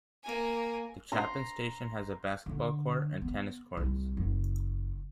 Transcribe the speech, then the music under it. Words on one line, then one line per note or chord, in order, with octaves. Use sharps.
The Chapin Station has a basketball court and tennis courts.
A#3 G#5
A#5 C6
D3
B3
C2
F#1